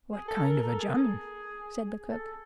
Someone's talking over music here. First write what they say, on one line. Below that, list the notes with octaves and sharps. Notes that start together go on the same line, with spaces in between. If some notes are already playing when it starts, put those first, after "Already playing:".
"What kind of a German?" said the cook.
G#4
A4
A#4
A4
G#4
A4